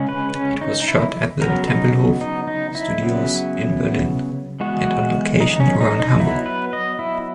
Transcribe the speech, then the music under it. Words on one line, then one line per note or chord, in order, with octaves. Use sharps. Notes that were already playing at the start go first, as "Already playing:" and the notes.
It was shot at the Tempelhof Studios in Berlin and on location around Hamburg.
Already playing: C#3 G#3 C#4
B4
C#4
D#4
E4
C#3 F#3 B3 A#4
D#4
D#4
D#4
E4
C#3 F#3 B3
E3 G#3 B3 F#4
D#4
C#4
D#4
D#4
F#3 B3 E4
B4
D#5
E4